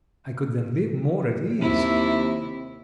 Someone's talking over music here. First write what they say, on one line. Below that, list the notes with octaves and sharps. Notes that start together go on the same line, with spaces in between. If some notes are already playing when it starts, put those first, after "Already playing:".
I could then live more at ease.
D#2 C3 E4